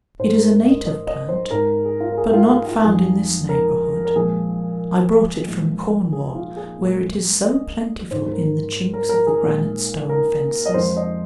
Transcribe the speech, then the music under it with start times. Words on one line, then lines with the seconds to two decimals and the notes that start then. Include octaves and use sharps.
It is a native plant, but not found in this neighbourhood; I brought it from Cornwall, where it is so plentiful in the chinks of the granite stone-fences.
0.19 G#2 G#3 C5
0.35 A#4
0.69 D#5
0.86 D#5
1.07 D#5
1.29 C5
1.51 G#2 G#3 A#4
1.85 G#4
2.00 F4
2.12 A#4
2.17 G#4
2.34 F4
2.50 G#4
2.67 F4
2.83 F2 F3 G#3 G#4
3.49 A#4
4.05 A#4
4.15 A#2 F3 G#3 G#4
5.47 A#2 F3 G#3
6.12 G#4
6.35 F4
6.56 G#4
6.78 A#2 G#3
7.45 D#5
8.11 G#2 G#3 C5
8.32 A#4
8.93 A#4
9.09 A#4
9.27 G#4
9.43 A#2 G#3
10.09 A#4
10.66 D#5
10.74 F2 F3 G#3 C5
10.97 D#5